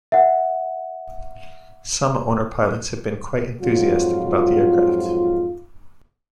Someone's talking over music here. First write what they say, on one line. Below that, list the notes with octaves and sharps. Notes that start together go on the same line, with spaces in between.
Some owner-pilots have been quite enthusiastic about the aircraft.
E5 F#5
F2 G#2 F#3 F4